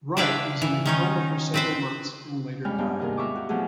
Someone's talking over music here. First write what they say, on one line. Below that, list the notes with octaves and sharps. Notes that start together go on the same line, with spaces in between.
Wright was in a coma for several months and later died.
D4 E4 B4 D5 F5 G5
E3
D#3 C#4 D#4
C4 B4 C5
F2 G3 G#3 C#4 B5 F6
G2 B3 D4
D#2 G#2 C3 G#4 A#4
F4 E5 A#5 C#6 D6
F#4 G4
B2 F3 F#3 A3 E4 G#4